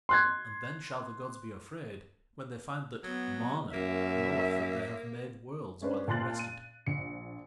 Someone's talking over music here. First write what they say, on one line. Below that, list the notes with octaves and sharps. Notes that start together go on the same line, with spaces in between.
And then shall the gods be afraid when they find that MANA knoweth that they have made Worlds while he rested.
C6 F#6 G#6
F#3 B3
F#2 A#3 E5
G#3 C#4 D4 B4 C5
A#2 A5 C6 F#6 A6 F#7
D#7
A#1 C#7